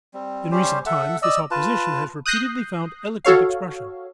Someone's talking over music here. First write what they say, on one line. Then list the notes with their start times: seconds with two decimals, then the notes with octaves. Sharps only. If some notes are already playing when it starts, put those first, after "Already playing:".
In recent times this opposition has repeatedly found eloquent expression.
0.14 G3 C4
0.51 G3 C#4 G4 C5
0.86 A4 E5 F#5
1.22 D5 D#5 E6
1.51 F4 B4 A5
2.26 D#6 F#6 G6 A#6 C7
3.25 F#4 A4 C#5 F5